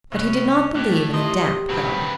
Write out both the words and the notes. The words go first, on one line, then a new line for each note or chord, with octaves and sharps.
But he did not believe in a damp home.
C2 C#4 F#6
A2 G4 F#6
G4 D#5 C6
D#1 C#3 F#3 C4 B4